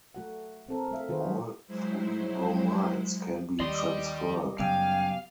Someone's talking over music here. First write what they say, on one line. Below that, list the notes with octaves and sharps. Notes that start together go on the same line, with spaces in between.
All three bromides can be transferred.
A3 F#4 F#5
C4 A4 A#4
A3 E5 F5
D#3 F4 F#4 G#4 B4 C5
F#3
F#3 G#3 E4 C5
D#2 G3 G4 D5 D#5 C6
F#2 C#3 F#3 B3 F5 G5 G#5